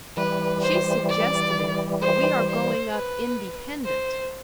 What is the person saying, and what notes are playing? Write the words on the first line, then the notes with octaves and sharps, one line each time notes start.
"She suggested it, but we are going up independent."
E3 G3 B4
C5
D5
C5
C5
B4
C5